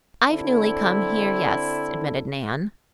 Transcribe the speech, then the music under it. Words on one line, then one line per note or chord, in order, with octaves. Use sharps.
"I've newly come here, yes," admitted Nan.
D3 C4 E4 A4